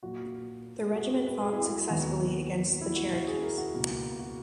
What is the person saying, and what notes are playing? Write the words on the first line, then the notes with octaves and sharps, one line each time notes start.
The regiment fought successfully against the Cherokees.
A#2 F#3 A#3 F#4
F#4
G#4
B4
G#4
E4
F#4
G#4
D#2 D#3 F#3 B3 F#4
E4
F#4
F#4
G#4
A#4
F#4
C#2 B2 A#3
F#4